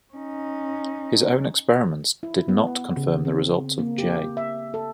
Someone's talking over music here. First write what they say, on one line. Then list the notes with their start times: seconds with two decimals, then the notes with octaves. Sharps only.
His own experiments did not confirm the results of J.
0.13 C#4 D#4
2.23 E4
2.48 B3
2.97 C#3
3.25 C4
3.78 A#3
3.98 G4
4.37 E5
4.74 A4